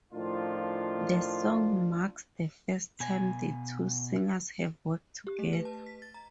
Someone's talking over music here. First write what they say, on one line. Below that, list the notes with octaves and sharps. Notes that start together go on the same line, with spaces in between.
The song marks the first time the two singers have worked together.
A2 D#3 F3 D4 F4
B2 G#5
G4
A3
B4
A5
B6
A6
A#5